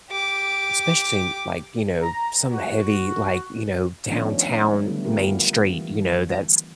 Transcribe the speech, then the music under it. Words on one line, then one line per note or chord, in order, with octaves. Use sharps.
Especially, like, you know, some heavy, like, you know, downtown Main Street, you know, that's
G4 D6
A#5
F#4
D#3 F3 A3 B3 C#4 D4
D3 D#3 F#3 G3 A3 B3
B3 E4 F4 G4 G#4 A#4
E3